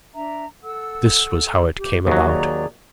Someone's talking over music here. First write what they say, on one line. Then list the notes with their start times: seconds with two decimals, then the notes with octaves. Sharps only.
This was how it came about.
0.14 D4 E5 A#5
0.62 A4 F#5 E6
1.78 G4 D6
2.07 D#2 F#3 C#6 D#6
2.24 G#4 D5 A#5